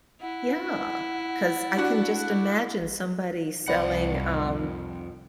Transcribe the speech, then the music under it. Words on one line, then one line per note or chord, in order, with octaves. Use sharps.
Yeah, 'cause I can just imagine somebody selling um
E4 F#5
D4 F#4
C2 F2 C5 D5 F#5 B5